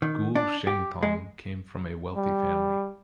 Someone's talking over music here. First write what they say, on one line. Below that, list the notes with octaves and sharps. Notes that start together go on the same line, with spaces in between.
Guo Shengtong came from a wealthy family.
D#3
D4
G4
G#3
G3